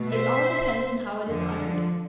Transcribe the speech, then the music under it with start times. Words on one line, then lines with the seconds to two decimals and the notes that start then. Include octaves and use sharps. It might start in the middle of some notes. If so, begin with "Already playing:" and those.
It all depends on how it is uttered.
Already playing: B2 A3
0.13 C5 E5
1.26 F2 D3 F3